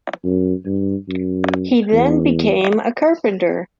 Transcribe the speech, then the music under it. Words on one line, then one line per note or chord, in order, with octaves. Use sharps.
He then became a carpenter.
F#2
G2
F#2
E2